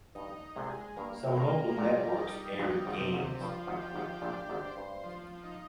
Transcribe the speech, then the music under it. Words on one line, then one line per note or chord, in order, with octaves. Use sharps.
Some local networks aired games.
G2 D#4
C2 C3 G#3
G2 A#3
F2
G2 A#4
A#1 A#2 G3
D#4
A#1 A#2 G3
G#1 G#2
C3
G#1 G#2
G2 F3
G#1 G#2
G4
G#1 G#2
A#1 A#2 D4
G#1 G#2
C5
G2
F3
D#4